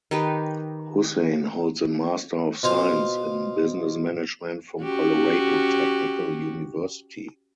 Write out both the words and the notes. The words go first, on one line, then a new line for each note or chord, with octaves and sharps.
Hussain holds an Master of Science in Business Management from Colorado Technical University.
D#3 D#4 G4 B4
B2 F4 C5 F5
C#4 F#4 G4